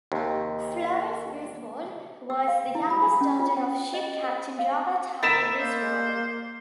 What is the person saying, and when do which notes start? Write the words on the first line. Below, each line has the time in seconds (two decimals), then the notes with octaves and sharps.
Florence Griswold was the youngest daughter of ship captain Robert Harper Griswold.
0.12 D#2 C3
2.30 E6
2.48 F5
2.75 E4
2.90 B5
3.21 C#4
3.39 F4
3.57 G5
3.94 D#5
4.24 C5
4.59 F5
5.23 A#4 D#5 E5 B5 A6 B6 E7
5.59 A#3 C5